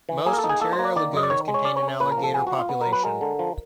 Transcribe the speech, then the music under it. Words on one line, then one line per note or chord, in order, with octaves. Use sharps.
Most interior lagoons contain an alligator population.
E3
A#3 G#4
A#4
A4
D#4
G#4
A#3 A4
C5
A#3
D5
D#3 D5
F#2 D#5
D5
D#3 C#5
G#3
C#5
C#4 D5
C#5
C#4
A#2 B4
A#4
F3
A4
B3 G#4
F#4
B3
F4
B3
A#4
F#3
B4
G#3 A#4
D3
F3